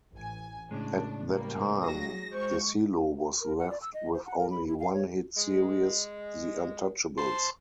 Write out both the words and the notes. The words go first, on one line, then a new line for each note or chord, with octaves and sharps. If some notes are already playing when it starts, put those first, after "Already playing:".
At that time, Desilu was left with only one hit series, "The Untouchables".
A1 G#5
A2 C#3 G#3 D4
F3 G3 A#3
F#3 F#4 G#4 A#6
G#3 C5 C#6
A#4
F#5
D5
E6
D#5
C5
F#5
A#4
B5
E4
F5
C#5
G#3
C5 A5 C6